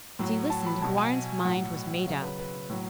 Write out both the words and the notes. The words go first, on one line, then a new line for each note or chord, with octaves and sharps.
As he listened Houarn's mind was made up.
A2 F#3
A5
B5
B2 F#3 A5
G#5
A2 F#3 F#5
C#3 F#3 F5
B4
B4
A2 F#3